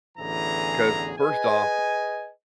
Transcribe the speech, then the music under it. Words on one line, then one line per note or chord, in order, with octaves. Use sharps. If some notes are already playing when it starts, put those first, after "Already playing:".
'cause first off,
A1 E2 D3 E3 G#4 A#5
G#4 B4 D#5 G#5